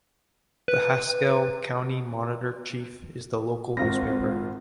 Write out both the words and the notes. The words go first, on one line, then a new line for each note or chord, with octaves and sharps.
The "Haskell County Monitor-Chief" is the local newspaper.
B4
G#1 C4 F4 A#6